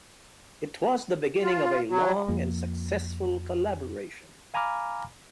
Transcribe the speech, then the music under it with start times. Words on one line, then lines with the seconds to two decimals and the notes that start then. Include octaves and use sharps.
It was the beginning of a long and successful collaboration.
1.42 F4
1.90 F#3
2.28 F2 F3 A#3
4.54 F5 G#5 A#5 B5 D6 F6